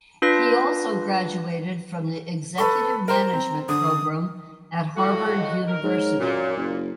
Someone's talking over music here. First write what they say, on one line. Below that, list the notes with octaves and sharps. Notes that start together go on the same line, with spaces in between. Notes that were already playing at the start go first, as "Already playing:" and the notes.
He also graduated from the Executive Management Program at Harvard University.
D4 F4 B4 A#6
A4 B4 B5 C#6
A#4 C5 A#5
C4
D3 D#6
A2 F4 F#4 A4
D#5
A#4
G#2 C#5
F#2 A#2
F#1